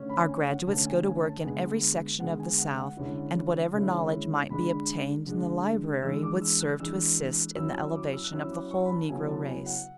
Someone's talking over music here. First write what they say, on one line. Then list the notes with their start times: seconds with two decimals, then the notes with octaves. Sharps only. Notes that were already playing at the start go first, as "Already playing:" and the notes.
Our graduates go to work in every section of the South, and whatever knowledge might be obtained in the library would serve to assist in the elevation of the whole Negro race.
Already playing: D3 A3 C#4
0.10 B5
0.29 G#5
0.48 F#5
0.67 D3 A3 C#4 A5
0.86 G#5
1.06 G#5
1.24 A5
1.44 D3 G#3 B3 G#5
2.20 D3 G#3 B3 F#5
2.40 G#5
2.58 F#5
2.77 F#5
2.97 D3 G#3 C#4 E4
3.73 D3 G#3 C#4 E4
4.50 D3 G#3 D4 B5
5.26 D3 G#3 D4
6.03 E3 G#3 D4 E6
6.23 D6
6.42 E6
6.60 F#6
6.79 E3 G#3 D4 E6
7.56 F#3 C#4 E4 E6
7.75 E6
7.95 D6
8.14 E6
8.24 F#6
8.32 F#3 C#4 E4 E6
8.52 D6
8.71 C#6
8.85 B5
8.91 A5
9.09 C#3 F#3 B3 E4 G#5
9.29 A5
9.48 G#5
9.66 F#5